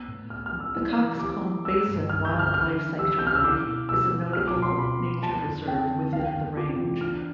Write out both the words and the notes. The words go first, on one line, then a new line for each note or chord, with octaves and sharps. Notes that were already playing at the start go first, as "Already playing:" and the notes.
The Cockscomb Basin Wildlife Sanctuary is a notable nature reserve within the range.
Already playing: B3 E6
A2
A2 F6
F6
F3
E6
E4
E3
G4 D6
B3
G3 E6
G2
G2 F6
G6
D3
F6
D4 F6
E3
G4 E6
B3 G6
F6
E6
E4 D6
B2
B2 E6
B3
F4 F6
D6
B2
C6
B2 B5
B3
F3 A5
F2
C4 G5
D3
B3 F5
G5
F5
F2
F4 D6
E3
D4 F6